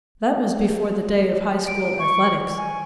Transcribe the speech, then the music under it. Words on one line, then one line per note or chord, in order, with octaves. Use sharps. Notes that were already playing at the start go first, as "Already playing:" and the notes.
That was before the day of High-School athletics.
D7
C#6
G#5